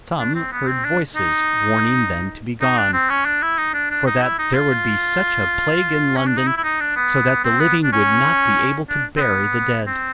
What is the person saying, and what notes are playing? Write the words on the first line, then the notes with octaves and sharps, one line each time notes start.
Some heard voices warning them to be gone, for that there would be such a plague in London, so that the living would not be able to bury the dead.
D4
C4
B3
C4
D4
D#4
D#4
D4
C4
C#4
D4
E4
D#4
D4
D4
D#4
E4
D#4
F4
C#4
D4
D#4
E4
E4
D#4
D4
B3
C4
B3
D4
C#4
D4
C4
B3
C4